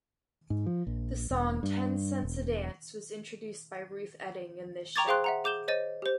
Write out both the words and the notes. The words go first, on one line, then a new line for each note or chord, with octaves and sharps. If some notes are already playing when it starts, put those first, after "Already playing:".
The song "Ten Cents a Dance" was introduced by Ruth Etting in this show.
G#2
F3
A#1
E1
G2
E1
G5 A#5 C#6 D6 G#6 A6
G#4 C5 F5 G5 C6 F#6
E5 F#5 A#5
G#4 D6 G6 E7 G7
C5 C#5 D#5 A6 D#7
G4 C5